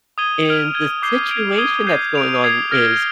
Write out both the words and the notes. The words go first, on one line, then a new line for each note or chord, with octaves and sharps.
and the situation that's going on is
D#6 G#6 D#7 G7
F6 G#6 D7 F7
F6 G#6 D#7 G7
D6 G6 C7 G7
G#6 D7 F7
D#6 G#6 D#7 G7
G6 C7 D#7
G6 D7 F7
D#6 G#6 C7 F7
F6 A#6 D7 G7